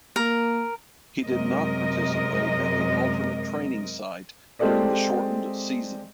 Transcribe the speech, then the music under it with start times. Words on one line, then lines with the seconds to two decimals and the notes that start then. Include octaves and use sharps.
He did not participate at the alternate training site during the shortened season.
0.16 A#3 A#4
1.26 F#2 C3 G#3 A#4 D#5
4.59 G#3 C4 G4 A4 D5 D#5